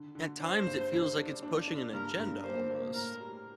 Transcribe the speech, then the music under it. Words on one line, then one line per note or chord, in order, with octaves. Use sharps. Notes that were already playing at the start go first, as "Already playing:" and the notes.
at times, it feels like it's pushing an agenda almost.
Already playing: D3
D3
D4 C5
G2
G2
D4
D4
D4
G2 A#4
G2
A#3 C5
A#3
A2 A#4
G3